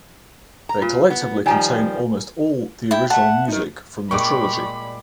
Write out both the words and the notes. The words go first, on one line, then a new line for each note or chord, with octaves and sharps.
They collectively contain almost all of the original music from the trilogy.
A#5
A#2 F4
B3
D#3 F3 G3 D#4 G#5 A#5
E4 G5
E5 F#5 A5
D#4 A#4
A#2 G3 G#3 B5 C#6 D6